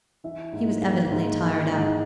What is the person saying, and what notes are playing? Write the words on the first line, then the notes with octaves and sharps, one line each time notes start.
He was evidently tired out.
E3 E5
G#2
A#3
G#2
E3
G#2